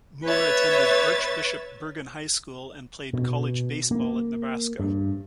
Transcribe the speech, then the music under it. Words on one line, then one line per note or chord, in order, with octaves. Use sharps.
Moore attended Archbishop Bergan High School and played college baseball at Nebraska.
B4 C#5 E5 A6
B2
A#3
G2